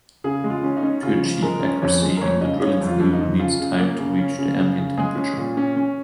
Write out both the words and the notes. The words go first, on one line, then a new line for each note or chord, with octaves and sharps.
To achieve accuracy the drilling fluid needs time to reach the ambient temperature.
C#3 G#4
G#3
F4
C#4
D#4
C#4
C#3 F4
F3
G#3 A#4
C#4
F2 C#5
G#3
A#4
F2 C#5
C#3 D#5
C#3 C#5
F2
F4
F2
D#4
F2
C#3 F4
C#3
A#3
C#3
C#4
C#3
C#3
C#3
G#3 G#4
C#4
A#2
C#4
C#4